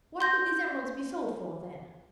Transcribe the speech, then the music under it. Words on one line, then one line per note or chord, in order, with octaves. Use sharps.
"What could these emeralds be sold for, then?"
C6 G6 A#6